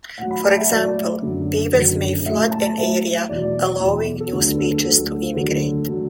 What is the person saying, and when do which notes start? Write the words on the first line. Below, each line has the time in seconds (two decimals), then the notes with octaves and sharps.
For example, beavers may flood an area, allowing new species to immigrate.
0.18 A2 F#3 F#5
0.31 B5
0.44 A5
0.58 E5
0.70 A2 F#3 D5
1.22 F#2 D3 F#3
1.73 F#2 D3 F#3
2.25 A2 F#3 E5
2.51 A5
2.77 A2 F#3 E5
3.29 E2 B2 F#3 D5
3.80 E2 B2 F#3
4.20 A4
4.32 D2 D3 F#3 B4
4.59 A4
4.84 D2 D3 F#3 A4
5.36 D2 D3 F#3 A4
5.88 D3 F#3